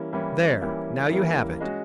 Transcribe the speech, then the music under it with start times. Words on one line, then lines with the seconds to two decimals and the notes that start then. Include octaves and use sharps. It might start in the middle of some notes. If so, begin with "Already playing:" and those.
There! now you have it.
Already playing: E3 G3 A#3 C#4 E4
0.13 E3 G3 A#3 C#4 E4
0.62 E3 G3 A#3 C#4 E4
1.11 E3 G3 A#3 C#4 E4
1.61 G#3 C#4 F#4